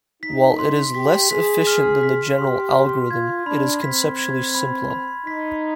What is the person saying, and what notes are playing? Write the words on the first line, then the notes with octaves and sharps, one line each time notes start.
While it is less efficient than the general algorithm, it is conceptually simpler.
D#4 B6
C6
G4 B6
G#4 B6
F6
B6
G4 C6
C6
F4 G#6
D4 B5
C4 B6
G#6
B5
B5
D#4 B6